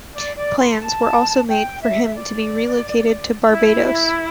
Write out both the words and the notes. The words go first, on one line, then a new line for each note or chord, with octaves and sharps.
Plans were also made for him to be relocated to Barbados.
D5
D5
C6
A5
G5
E5
D5
E4